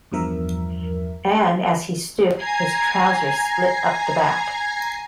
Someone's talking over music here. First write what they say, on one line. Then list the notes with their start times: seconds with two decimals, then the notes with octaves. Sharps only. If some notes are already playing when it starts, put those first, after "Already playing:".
And, as he stooped, his trousers split up the back.
0.12 E2 G2 F3 A#4 E5
2.36 G#5 A#5 G#6 C7